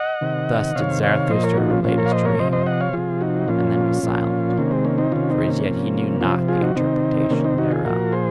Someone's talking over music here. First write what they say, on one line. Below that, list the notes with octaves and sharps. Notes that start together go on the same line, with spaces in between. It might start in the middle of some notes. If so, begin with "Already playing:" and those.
Thus did Zarathustra relate his dream, and then was silent: for as yet he knew not the interpretation thereof.
Already playing: D#5 F#5
C3 D#3
C3 D#3 C#5 F5
C#5 F5
A#2 F3 C5 D#5
A#4 C#5
D#4 F#4
C#4 F4
A#2 F3 C#4 F4
A#4 C#5
F5
C5 D#5
A#4 C#5
C3 F3 C5 D#5
C5 D#5
D#5 F#5
C#5 F5
C3 F3 F4 G#4
D#4 F#4
A#2 F3 C#4 F4
A#2 F3
C3 D#3 A#3 C#4
G#3 C4
A#3 C#4
C4 D#4
C3 D#3 C#4 F4
C4 D#4
A#3 C#4
C3 F3
C3 F3 C#4 F4
F4 G#4
D#4 F#4
C3 D#3 C4 D#4
C3 D#3 A#3 C#4
C4 D#4
D#4 F#4
F4 G#4
A#2 F3 F#4 A#4
G#4 C5